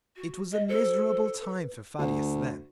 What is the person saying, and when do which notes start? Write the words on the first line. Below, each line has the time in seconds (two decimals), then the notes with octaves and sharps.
It was a miserable time for Thaddeus then.
0.16 F#4
0.52 D#5
0.69 F#4 A4 C5
1.42 B4
1.99 D2